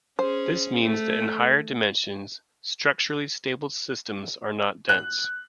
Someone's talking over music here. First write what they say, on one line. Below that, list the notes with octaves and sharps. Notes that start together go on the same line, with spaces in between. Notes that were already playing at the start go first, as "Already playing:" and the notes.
This means that in higher dimensions, structurally stable systems are not dense.
C#4 G#4 C5
A3
F#6